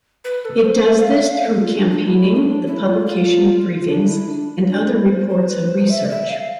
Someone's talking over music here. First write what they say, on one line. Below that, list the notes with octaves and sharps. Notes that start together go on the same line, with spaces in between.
It does this through campaigning, the publication of briefings and other reports and research.
B4
A4
C5
E5
F5
E5
F5
A4
F4
D4
D4
E4
D4
E4
F4
F4
D4
E4
D4
D4
E4
C5
C5
B4
C5
E5
D5
E5
F5